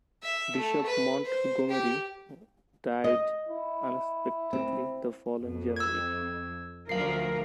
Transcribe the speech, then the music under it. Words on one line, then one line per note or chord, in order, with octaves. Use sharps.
Bishop Montgomery died unexpectedly the following January.
E5
A3
B4
C5
G4
D#5
E4
C4
F2
E6 G#6
D2 F3 A#4 F5 C7